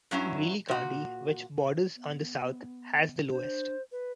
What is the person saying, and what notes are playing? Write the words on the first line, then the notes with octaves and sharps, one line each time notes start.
Greeley County, which borders on the south, has the lowest.
G2 F#3 C#4 E4
A#2 F#4
B3
D4 C5
B4